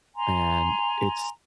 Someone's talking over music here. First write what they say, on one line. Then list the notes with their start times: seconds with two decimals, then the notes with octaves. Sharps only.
and it's
0.15 G#5 A#5 C6